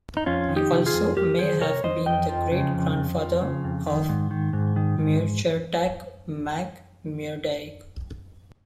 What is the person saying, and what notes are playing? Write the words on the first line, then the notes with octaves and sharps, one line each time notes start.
He also may have been the great-grandfather of Muirchertach mac Muiredaig.
D#4
F2 C#4 F4
D#3
D#4 G4
C3
F4 G#4
F2
F2 G4 A#4
D#3 G#4 C5
C3 A#4 C#5
F2 C5 D#5
F2 D#5 G5
F3
C#3
F2
F2
F3
C#3
F2
D#3
G#2
D#3
G#2
D#3
G#2